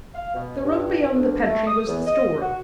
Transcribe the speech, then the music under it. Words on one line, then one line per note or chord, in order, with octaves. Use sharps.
The room beyond the pantry was the storeroom.
F5
B2
G2
D2
A3
D#6
E2
D#5
F#4